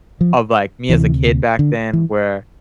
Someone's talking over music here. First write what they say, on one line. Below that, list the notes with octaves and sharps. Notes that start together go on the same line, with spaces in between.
of, like, me as a kid back then where
F3
D2 C3 E3
D3
E3